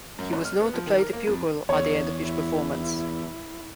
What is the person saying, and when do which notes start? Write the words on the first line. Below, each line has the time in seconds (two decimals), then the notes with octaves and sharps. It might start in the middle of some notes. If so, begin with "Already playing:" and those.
He was known to play the bugle at the end of each performance.
0.19 F#2
0.33 G#1
0.45 F6
0.61 B3
0.74 F3
0.87 D#3
0.99 A#4
1.13 A#3
1.27 F2
1.69 E2 C#5
2.19 E4